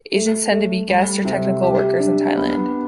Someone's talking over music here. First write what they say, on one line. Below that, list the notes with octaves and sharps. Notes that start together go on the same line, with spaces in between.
Asians tend to be guest or technical workers in Thailand.
A3
A3
G3
C3
G4
D4
B3